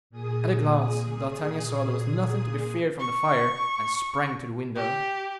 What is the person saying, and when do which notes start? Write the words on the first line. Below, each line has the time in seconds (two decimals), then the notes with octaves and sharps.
At a glance D'Artagnan saw there was nothing to be feared from the fire, and sprang to the window.
0.10 A#2 G#4 D#6
3.00 C#6
4.76 G4